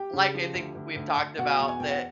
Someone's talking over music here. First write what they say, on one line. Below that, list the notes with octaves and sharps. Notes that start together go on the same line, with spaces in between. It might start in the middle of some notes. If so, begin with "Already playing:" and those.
l like I think we've talked about that
Already playing: G4 G5
C#3
F3
D2
D2
D2
D2
B2 F#4 F#5
E2
G#5
B2 G5
F#5